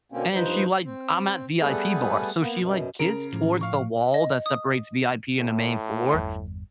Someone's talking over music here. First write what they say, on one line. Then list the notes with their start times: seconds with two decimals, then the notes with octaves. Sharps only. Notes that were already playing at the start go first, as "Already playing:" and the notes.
And she like I'm at VIP bars. So, she, like, gets towards the wall that separates VIP and the main floor.
0.12 B2 D3 A#3 C4 C#4
0.33 G2 F3 D#4 B4 C5
0.85 C4
1.61 G3 A3 B3 G#4 A4 B4
2.41 A#3 B3
2.59 F#2 B2
2.99 C#3 A#4 A#5 D7
3.33 A2 F3
3.61 F5 C#6
4.14 D#5
4.46 D#6
5.39 A2
6.14 G1 E2 G3